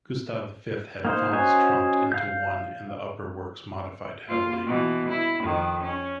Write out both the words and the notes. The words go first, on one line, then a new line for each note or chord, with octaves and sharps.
Gustav V had funnels trunked into one and the upper works modified heavily.
A#3 D#4 C5
C#4 F#4 C5 D#5 G#5
F5 G6
A#3 F4
B2 E3
E4
F2 D#3
C#4